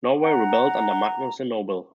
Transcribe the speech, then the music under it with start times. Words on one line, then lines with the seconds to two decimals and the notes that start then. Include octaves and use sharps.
Norway rebelled under Magnus the Noble.
0.23 F#5 A#5